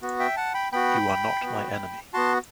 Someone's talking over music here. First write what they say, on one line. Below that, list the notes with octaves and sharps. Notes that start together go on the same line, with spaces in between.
You are not my enemy.
B3 F#4
E5 G5
F#5 A5
G5 B5
B3 F#4 G5 B5
B3 F#4
B3 F#4 A5 C6